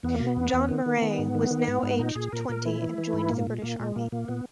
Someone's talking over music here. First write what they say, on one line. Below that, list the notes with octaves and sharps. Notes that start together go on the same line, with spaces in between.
John Murray was now aged twenty and joined the British Army.
E2 B3
A#3
B2
B3
E2
E2
D#3
D#3
D#3
G#2
D#3
D#3
G#2
G#2
A#2 D#4
A#2 G#4
A#2 A#4
A#2 A#4
E3 E4
E3
E3
G#2
A#2 A#3
A#2
A#2 A#3
A#2 G#3
A#2 A#3
A#2 A#3
A#2 B3